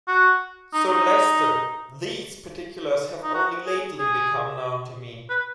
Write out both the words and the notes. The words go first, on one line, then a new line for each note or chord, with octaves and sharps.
Sir Leicester, these particulars have only lately become known to me.
F#4
D#4
D#4
D#4
F#4
G#4
G#4
B4